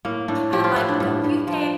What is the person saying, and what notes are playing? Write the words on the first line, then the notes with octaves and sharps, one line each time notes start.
Uh, like,, "computer"
A2 A#3
A2 D4
F3 G4
F4
A2 E4
D4
G2 D4
G2
F3